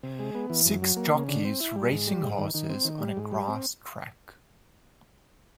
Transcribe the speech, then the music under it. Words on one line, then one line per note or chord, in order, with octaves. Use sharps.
Six jockeys racing horses on a grass track.
C3
G#3
B3
E3
F#2
F#3
A#3
C#3
D3
C4
E4
G3
G#2
G3
G#2
D#3
D#3
C4
D#3
G3
G#2
G3
C4